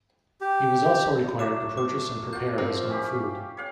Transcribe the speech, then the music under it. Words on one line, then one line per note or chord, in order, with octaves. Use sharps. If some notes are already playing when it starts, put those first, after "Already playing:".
He was also required to purchase and prepare his own food.
G4
F#3 A3 D4 D6 E7
D6
F4 F#4 F#5 G6
F3 C4 A#4
C#4 G4 B5
C#5 F5 G5